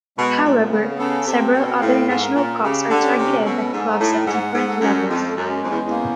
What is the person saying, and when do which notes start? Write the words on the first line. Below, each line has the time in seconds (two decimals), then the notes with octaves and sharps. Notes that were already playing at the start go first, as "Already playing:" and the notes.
However, several other national cups are targeted at clubs at different levels.
0.17 B2 G#3
0.44 A#2
0.58 B3
0.71 C#3
0.98 C#3 A4
1.26 C3
1.40 C4
1.53 B2
1.80 A2 F5
2.08 G#2
2.22 A#4
2.35 A#2
2.63 C#3 G4
2.90 D3
3.03 C#4
3.17 C3
3.34 A#2
3.44 B2 A4
3.72 G#2
3.86 D#4
3.99 A2
4.26 G#2 F#5
4.53 G#2
4.68 A4
4.81 F#2
5.08 F2 G#3
5.36 F#2
5.49 C#4
5.63 F2
5.70 E2
5.85 E2
5.90 A#3